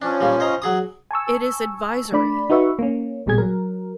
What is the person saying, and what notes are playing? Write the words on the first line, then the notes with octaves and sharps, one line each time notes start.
It is advisory.
F3 C#4 D4
A#2 G3
C5 D#5 A#5
F#3 G#4 D#6
G#5 A5 C#6 E6
A3 D4 D5 B5
D#4 F#4 B4 E5 C#6
A#3 C#4
A1 A#2 G3 B3 G#4 G#6
F#3 A#4